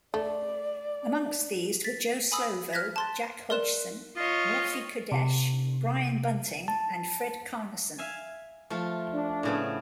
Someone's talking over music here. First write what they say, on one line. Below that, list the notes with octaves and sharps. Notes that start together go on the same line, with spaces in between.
Amongst these were Joe Slovo, Jack Hodgson, Wolfie Kodesh, Brian Bunting and Fred Carneson.
A3 D5
A6 B6
G#5 B5 D#6 E6
F6 F#6 G#6 A#6 B6
A5 C6 A6
A#4 D5 C6 F#6 E7
F4 C#5 D#5
C3
A5
E5 F5 G#5
F3 A3 F4
D4
A2 C#3 B3